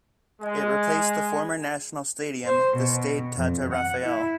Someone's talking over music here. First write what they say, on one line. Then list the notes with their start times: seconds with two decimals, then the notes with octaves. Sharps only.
It replaced the former National Stadium, the Stade Tata Raphael.
0.42 G#3
2.45 C5
2.76 B2
3.36 F2
3.72 F#5
4.05 E4